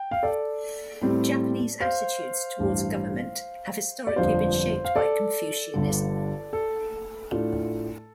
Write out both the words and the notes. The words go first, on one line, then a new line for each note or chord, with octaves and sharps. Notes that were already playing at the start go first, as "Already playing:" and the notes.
Japanese attitudes towards government have historically been shaped by Confucianism.
Already playing: G5
F5
A4 D5
A2 G3 C4
C5 F5
A1 G2 G3
D5
G1 F2 F3 D4 C5 F5
F5
A4 D5
G1 G2 D3
A4
A2 A3 D4 F4